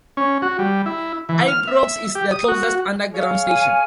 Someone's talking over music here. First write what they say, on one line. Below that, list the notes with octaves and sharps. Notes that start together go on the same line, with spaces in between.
Ibrox is the closest underground station.
C#4
F#4
G3
E4
E3
F6
E5
G4
D#6
F#4
G#4 C#5 F5
G#5